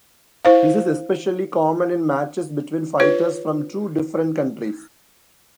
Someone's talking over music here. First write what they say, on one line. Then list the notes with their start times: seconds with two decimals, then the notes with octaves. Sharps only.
This is especially common in matches between fighters from two different countries.
0.45 E4 C5 F5
3.00 F4 B4 C#5